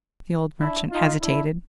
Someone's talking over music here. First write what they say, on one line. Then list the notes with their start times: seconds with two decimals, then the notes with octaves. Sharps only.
The old merchant hesitated.
0.60 D4 E4
0.91 D#4 F4
1.22 D4 E4